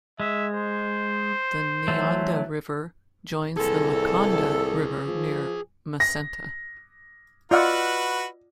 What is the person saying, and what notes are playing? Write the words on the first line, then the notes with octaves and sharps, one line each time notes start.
The Nianda River joins the Makonda River near Macenta.
G#3 E5
C5
E3 F#3 A3
C2 G#4 A4 B4
F3
A#6
F4 F#4 B4 D5 D#5 F#5 E6 F6